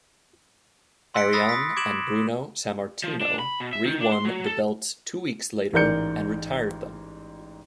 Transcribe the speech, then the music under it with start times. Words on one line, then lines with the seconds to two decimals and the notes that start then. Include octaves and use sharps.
Arion and Bruno Sammartino rewon the belts two weeks later, and retired them.
1.15 C6 E6 F#6 B6 C#7 D7
1.33 B5 D#6 E6 A6 A#6 C7
1.49 D#6 B6
1.76 D6 G#6 D7 E7 F#7
3.04 F3
3.21 D4
3.39 B5
3.60 B2
3.73 E5
3.86 D#3
4.00 D4
4.12 C6
4.25 F#3
4.46 A4
5.73 A1 G#2 A#4 D5 G6 C#7